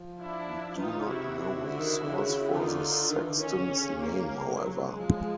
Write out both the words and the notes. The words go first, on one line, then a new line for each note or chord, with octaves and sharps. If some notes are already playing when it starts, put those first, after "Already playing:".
We do not know the source for the "Sexton's" name, however.
Already playing: F3
D4 E4
F3
E3 D#4 F4
F3
C#3
C3 E4 F#4
D3 E4 F#4
D#3
D3
C#3
D3 D#4 F4
D#3
D3
D#3
E3
D3
D#3 C#4
C#3
D3
C#3
A#3
C#3
F#3
G#3
F3